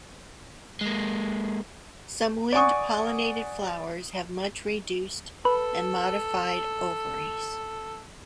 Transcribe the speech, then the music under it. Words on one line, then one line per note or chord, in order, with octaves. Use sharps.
Some wind pollinated flowers have much reduced and modified ovaries.
G#3 A#3
D5 F#5 G#5 C#6 D#6
A4 B4